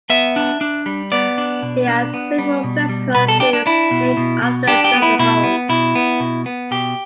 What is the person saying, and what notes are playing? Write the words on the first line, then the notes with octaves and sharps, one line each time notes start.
There are several physical theories named after Dresselhaus.
B3 E5
D4
D4
G3
B3 D5
D4
B2
D4
B3
G3
B2
G3
B2 B4
A4
D4 G4
D4
D4 E4
B2
B2
B2
D4 G4
G4
B3
E4
B2 E4
B3
B2 E4
B3
B2
B3
B2 G4